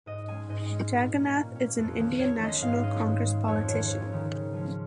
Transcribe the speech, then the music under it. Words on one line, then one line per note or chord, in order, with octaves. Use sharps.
Jagannath is an Indian National Congress politician.
G#2 D#5
G#3 C#4 G#5
G#2 D#5
G#3 C#4
A#2
A#3 C#4
A#2
A#3 C#4
F2
D#3 G#3 C#4
F2 C#5
D#3 G#3 C#4 D#5
G#2 F5
G#3 C#4 D#5
G#2
G#3 C#4
F2 C#5
D#3 C#4 C#5
F2 C#5
D#3 C#4
C#3
F3 G#3 C#4